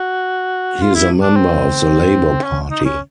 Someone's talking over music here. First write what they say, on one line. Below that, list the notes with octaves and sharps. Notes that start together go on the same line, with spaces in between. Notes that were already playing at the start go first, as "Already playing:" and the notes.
He is a member of the Labour Party.
Already playing: F#4
F4
E4
D4
C4
C#4
D#4
C#4